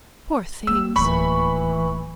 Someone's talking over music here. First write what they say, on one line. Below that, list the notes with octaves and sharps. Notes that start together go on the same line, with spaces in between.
"Poor things!"
A#3 C4 E6
D1 D#2 E3 B5 C#6